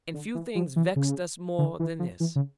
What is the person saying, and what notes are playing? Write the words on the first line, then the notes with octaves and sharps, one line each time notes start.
And few things vexed us more than this.
D3
E3
F3
E3
C#3
D3
E3
F3
E3
C#3